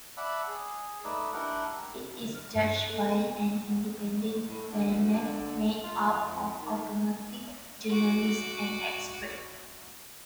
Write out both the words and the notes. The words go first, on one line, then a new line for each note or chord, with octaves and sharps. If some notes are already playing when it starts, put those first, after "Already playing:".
It is judged by an independent panel made up of automotive journalists and experts.
D5 E5 F#5 A5 B5
G#4
A3 D#4 B4 D5 E6
D4 E4 G4 A#4 F#5
A#4
D3
F6
G2
F#6
A4
B3
A2
D3
D2
D3
F4
F2
D#3
F#4 D6